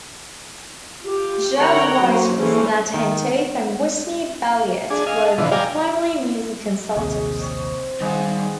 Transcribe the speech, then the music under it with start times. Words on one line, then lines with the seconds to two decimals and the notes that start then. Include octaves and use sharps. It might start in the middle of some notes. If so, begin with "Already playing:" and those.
Jazz writers Nat Hentoff and Whitney Balliett were the primary music consultants.
1.01 F4 G4
1.57 D3 A#4 C#5 F#5 G5 A#5
2.00 F#3 A#3 C#4 C5
2.37 E3 A#3 C#4 G#4 A4 C5
2.94 D#3
4.90 D4 G#4
5.06 D#5 F5 G#5
5.25 A4
5.38 B2 D3 E3 F3
5.52 D5 F5 G5 G#5 A#5
6.96 A#1 D#2 C3 G#4 C#5 D#5
7.42 C4 C#5
8.01 D#3 G3 G#3 B3 G#4 F5